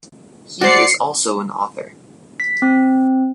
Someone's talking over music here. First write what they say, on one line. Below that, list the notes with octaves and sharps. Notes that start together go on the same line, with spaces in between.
He is also an author.
F#4 C5 D5 C7 C#7
B6
C4